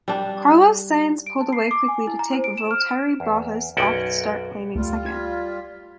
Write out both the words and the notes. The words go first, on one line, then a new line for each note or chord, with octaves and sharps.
Carlos Sainz pulled away quickly to take Valtteri Bottas off the start claiming second.
G3 D4
D7
A5
C7
D6
G#5
E4
A#5
C5
D7
E7
F6
E2
B1 F#2 C#4 F#4 D5 G5
C#2 G3 A3 F4
G#6 B6